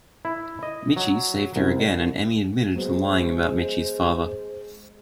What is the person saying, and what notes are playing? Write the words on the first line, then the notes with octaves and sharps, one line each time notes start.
Michi saved her again and Emmy admitted to lying about Michi's father.
E4
D#5
F#3
C2
F#3 G#3 B3 C5